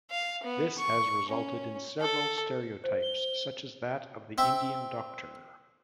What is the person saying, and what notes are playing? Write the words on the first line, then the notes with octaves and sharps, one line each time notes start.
This has resulted in several stereotypes such as that of the "Indian Doctor".
F5
B3
C#6
C#4
A4
C5
G7
C4 E5